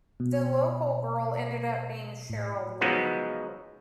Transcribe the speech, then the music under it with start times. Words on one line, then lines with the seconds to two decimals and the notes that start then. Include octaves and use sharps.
The local girl ended up being Sheryl Lee.
0.20 B2
2.30 A2
2.81 C#3 F3 F#3 G#3 B3 D#4